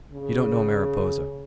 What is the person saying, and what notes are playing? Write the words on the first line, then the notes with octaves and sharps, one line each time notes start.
You don't know Mariposa.
C#3